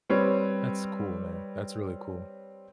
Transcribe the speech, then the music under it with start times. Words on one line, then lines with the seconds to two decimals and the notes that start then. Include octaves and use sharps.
That's cool, man. That's really cool.
0.09 G3 C4 B4 C#5